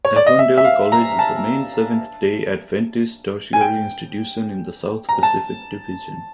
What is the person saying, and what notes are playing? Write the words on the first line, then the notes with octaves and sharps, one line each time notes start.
Avondale College is the main Seventh-day Adventist tertiary institution in the South-Pacific Division.
C#5
D5
D#5
E5
E5
F5
A#5
A5
G#5
G5
A#5
A5